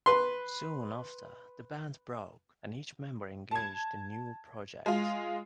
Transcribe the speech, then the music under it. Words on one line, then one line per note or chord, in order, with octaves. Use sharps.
Soon after, the band broke, and each member engaged in new projects.
B4 C6
A5 G#6
G#3 F4